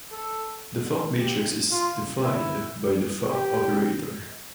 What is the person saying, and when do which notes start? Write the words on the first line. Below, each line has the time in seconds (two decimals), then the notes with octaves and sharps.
The Fock matrix is defined by the "Fock operator".
0.12 A4
1.18 G4
1.71 F4
2.24 E4
3.30 G4